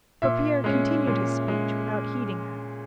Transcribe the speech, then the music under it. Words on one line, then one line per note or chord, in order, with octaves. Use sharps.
But Pierre continued his speech without heeding her.
A#2 E5
G#3 C#4
A#2
G#3